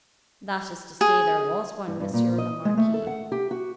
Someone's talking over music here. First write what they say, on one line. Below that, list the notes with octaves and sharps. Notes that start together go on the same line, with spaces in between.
"That is to say there was one, Monsieur le Marquis."
G#4
G2
G2
A#2
D#5
G#3
A3
A4
F#5
G4
F#4